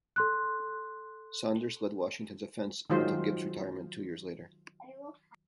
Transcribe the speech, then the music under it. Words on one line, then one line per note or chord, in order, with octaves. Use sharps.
Saunders led Washington's offense until Gibbs retirement two years later.
A4 C6 F#6
D#3 F#3 G#3 F4 C5